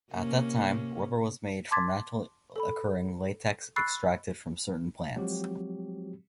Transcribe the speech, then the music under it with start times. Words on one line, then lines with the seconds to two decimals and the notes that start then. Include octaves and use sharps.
At that time rubber was made from naturally occurring latex extracted from certain plants.
0.11 C3 A#3 C#4
1.71 A5 C6 D6 G#6 A6 B6
2.56 A4 B5
3.76 B5 C#6 E6 F#6 A6 C7
5.16 F3 F#3 G#3 C4 F#4 G4